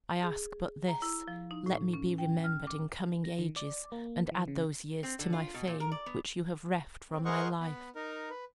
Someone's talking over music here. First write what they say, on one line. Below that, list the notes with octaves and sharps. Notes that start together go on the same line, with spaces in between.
I ask but this: let me be remembered in coming ages, and add those years to my fame which you have reft from my life.
G#4
A#5
E4
F3
D#4
A2
C#4
G5
F6
D6
A#6
D#3
D5
A#3
E3
C#3
C4
D3
F4
B2
A#2
A#4
D5
B3
C4
G#4 A#4 C5 D#5 F#5 C#6
B3 B4
D#4 A#4
B4